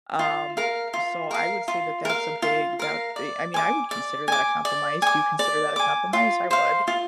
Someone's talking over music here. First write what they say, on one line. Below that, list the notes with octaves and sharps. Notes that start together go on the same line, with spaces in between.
Um, so I would say that, that's a big that be I mean, I would consider that a compromise, do you consider that a compromise? I would.
F4
A#4 F5
F4
A#4 F5
F4
A#4 F5
F4
A#4 F5
D5
G#5 D6
D5
G#5 D6
D5
G#5 D6
D5
G#5 D6
F4
C5 F5
F4